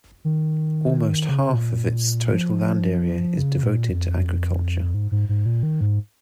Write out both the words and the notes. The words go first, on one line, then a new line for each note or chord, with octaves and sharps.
Almost half of its total land area is devoted to agriculture.
D#3
C#3
A#2
F3
C#3
A#2
F2
G#2
G#2
G#2
A#2
D#3
G#2